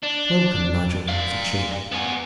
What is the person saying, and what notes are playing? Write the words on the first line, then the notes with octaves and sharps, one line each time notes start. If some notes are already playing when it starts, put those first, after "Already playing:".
"Welcome, Nigel!" said she.
D4
D5 F5
B3 G#5